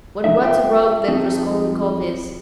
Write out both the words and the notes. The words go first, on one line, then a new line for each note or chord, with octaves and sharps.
But what a rogue that Raskolnikov is!
C3 F3 D4 D#4 E5
F4 A4 D5 E5 F5 G5
F2 F3 C4 D#4 G#4 A4